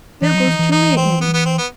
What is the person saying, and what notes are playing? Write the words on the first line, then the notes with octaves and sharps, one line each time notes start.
There goes Julia in.
E3 D#4
F#3
E3
E3
D#4
C4
B3
B3
C4
B3